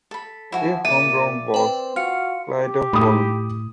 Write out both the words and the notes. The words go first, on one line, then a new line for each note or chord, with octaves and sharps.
Their home ground was Clydeholm.
A4 B5
F3 E4 F#4 G#5
A#2 D5 E5 D#7
C4 B4 G5
F4 F#4 F6 C#7
G4
A2 B5 D#6